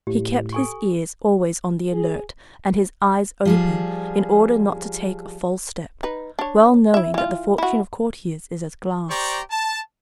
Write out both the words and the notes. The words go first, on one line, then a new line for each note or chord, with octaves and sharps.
He kept his ears always on the alert and his eyes open in order not to take a false step, well knowing that the fortune of courtiers is as glass.
A2 G4
A4 G#5 C#6
G#4
F3 G3 G#4
D#4 B4
D4 C#5
E4 E5
E3 F4
E4 F#4
G4 C5 D5 A#5 C#6
A5